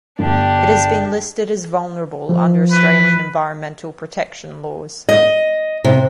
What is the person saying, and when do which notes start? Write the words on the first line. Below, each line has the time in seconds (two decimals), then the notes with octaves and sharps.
It has been listed as "vulnerable" under Australian environmental protection laws.
0.19 G1 D4 G4
2.29 F3
2.72 B4
5.09 D#5
5.84 C3